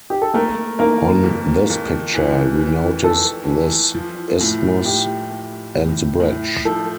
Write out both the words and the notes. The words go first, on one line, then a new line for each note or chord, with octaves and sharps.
On this picture, we notice this isthmus and the bridge.
G4
A4
A3 A#3 A#4
E3 A#3 A#4
F2
F2
E3
E3
F2 A4
E3
F3
A2
A2 G4
A2
A2
A2
F3 A4